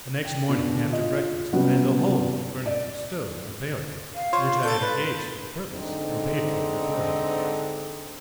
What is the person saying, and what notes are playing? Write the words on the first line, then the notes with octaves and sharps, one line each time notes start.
The next morning, after breakfast, I had the whole of the furniture stowed in a peotta, which I had engaged for the purpose and paid for beforehand.
G5
B2 D3
F4 D#5
C3 F#3 G3 B3 C#4 F#4
D5
F5
F4 C5 C#5
A4 G6 A6
B4
G#2 D3 C4 D#4